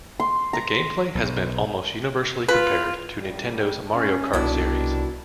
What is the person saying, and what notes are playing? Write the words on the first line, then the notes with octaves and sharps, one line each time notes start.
The gameplay has been almost universally compared to Nintendo's "Mario Kart" series.
C6
A#5
B1
F4 B4
A1 G3
C#4
C2 B2 D#3 D4 E4